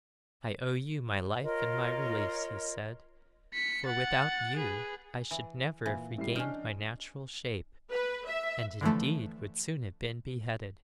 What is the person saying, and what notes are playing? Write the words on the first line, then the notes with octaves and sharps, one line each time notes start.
'I owe you my life and my release,' he said, 'for without you I should never have regained my natural shape, and, indeed, would soon have been beheaded.
F4 A#4 C#5 D#5
B6 C#7
F#5 A6
G#4 B4
E3
A#2 E3
A2 G3 C7
C#4 D4 D#5 G5 F6
B4
E5
D3 E3 F3 A3